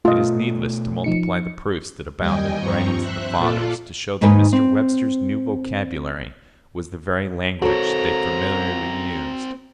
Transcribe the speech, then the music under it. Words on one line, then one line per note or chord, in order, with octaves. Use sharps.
It is needless to multiply the proofs that abound in the writings of the "fathers" to show that Mr. Webster's "new vocabulary" was the very language they familiarly used.
B2 A3 F4 D#5
F3 D#4 C#7
D#2 G3 D#5 G5 G#5
G2 F3 C4 A#5 C#6
C5 E5 F#6
A#2 F4 A4 D5
D#2 G#2 D#3 D#4 B4 G#5
C4
C4 F#4 A4 A#4 C#5 A#5